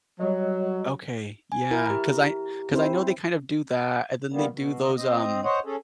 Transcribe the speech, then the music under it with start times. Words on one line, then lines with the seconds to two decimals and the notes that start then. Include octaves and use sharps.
Okay. Yeah, 'cause I cause I know they kind of do that, and then they do those, um,
0.20 F#3 G3 C#5 D#5
1.52 G#5
1.71 E4 A#4
1.86 G4 A#5
2.72 C4 E4 C5
4.32 D#3 G3 A#3 B3
4.52 B2
4.82 D2 D3 D#5 A#5
4.97 C4 D#5
5.44 C5 C#5 D#5 F#5
5.65 C#4 G#4 A4